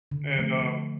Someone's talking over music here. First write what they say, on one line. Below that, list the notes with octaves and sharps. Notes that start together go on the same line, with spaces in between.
and, uh,
D3
F3 A3
D3